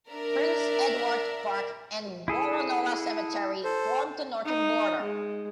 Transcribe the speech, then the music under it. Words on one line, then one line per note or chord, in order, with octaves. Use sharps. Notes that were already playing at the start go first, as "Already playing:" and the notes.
Prince Edward Park and Woronora Cemetery form the northern border.
D4 A#4 D5 E5
E4 G#4 A4
A4 C5
D#4
G#3